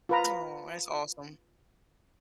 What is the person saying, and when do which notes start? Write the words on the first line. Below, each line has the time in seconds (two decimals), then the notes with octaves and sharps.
Aw, that's awesome.
0.09 F4 B4 A#5